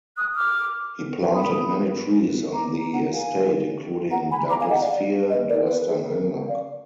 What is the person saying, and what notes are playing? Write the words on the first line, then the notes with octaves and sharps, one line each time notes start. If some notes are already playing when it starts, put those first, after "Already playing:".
He planted many trees on the estate including Douglas Fir and Western Hemlock.
D#6 F#6
D6 F6
B5 D#6
A#5 D6
F#5 A#5
F5 G#5
F#5 A#5
G#5 B5
A#5 D6
F5 G#5
D#5 F#5
D5 F5
B4 D#5
A#4 D5
B4
G#4
A#4
D5 F5